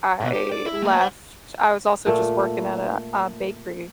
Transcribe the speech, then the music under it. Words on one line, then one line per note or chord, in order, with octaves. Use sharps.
I left. I was also just working at a a bakery.
G#2 B2
G4
D5
E4
A3 A#3
C5 F#5
A#2 A3